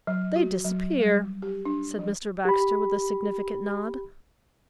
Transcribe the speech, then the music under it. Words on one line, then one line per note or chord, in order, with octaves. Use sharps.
"They disappear," said Mr. Baxter, with a significant nod.
F#3
F#4
F#3
G3
G4
D4
F3
G4 B5